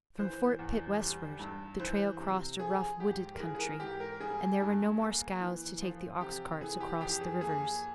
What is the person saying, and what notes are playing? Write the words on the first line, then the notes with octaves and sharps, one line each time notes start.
From Fort Pitt westward the trail crossed a rough, wooded country, and there were no more scows to take the ox-carts across the rivers.
E3 C5
E2
G3
G2
E3 C5
C3
F3 G#4
G#2 G4
A#4
E3 G#4
G#4
A#4
G#2 G4
A#4
G3 G#4
G2
A#3
E3
F3
C3 G4
E3 G#4
G4
F2 G4
G#4
A#3 G#4